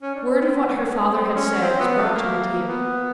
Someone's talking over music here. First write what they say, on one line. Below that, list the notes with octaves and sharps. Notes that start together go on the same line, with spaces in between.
Word of what her father had said was brought to Medea.
C#4
D4
C#4
C4
B3
C4
C#4
C4
B3
A3
A#3
B3